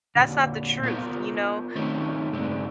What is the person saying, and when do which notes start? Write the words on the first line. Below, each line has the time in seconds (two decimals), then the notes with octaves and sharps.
that's not the truth. You know,
0.15 A#2 D3
0.83 B3 F4 A#4 C5
1.76 D#3 A3 C4 C#4 D#4
2.33 G2 C#3 G#3 C4 D4